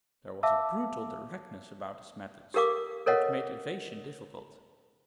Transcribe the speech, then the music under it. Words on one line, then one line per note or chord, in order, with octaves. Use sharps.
There was a brutal directness about his methods which made evasion difficult.
E5 F5 A5 D6 E6
G4 A4 A#4 F5 D6
A4 A#4 C#5 D#5 F5 F#5